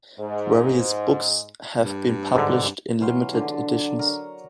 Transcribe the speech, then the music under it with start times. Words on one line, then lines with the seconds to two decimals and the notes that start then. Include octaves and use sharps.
Various books have been published in limited editions.
0.19 G#2
1.80 G2
2.35 G#2 D3
3.00 E3 F#3 F5 C6
3.33 D3 D4
3.99 A#4 C#6